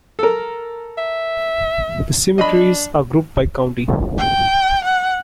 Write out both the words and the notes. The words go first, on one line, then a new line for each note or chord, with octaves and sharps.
The cemeteries are grouped by county.
A4 A#4
E5
D4 D#5 B5
G5
F#5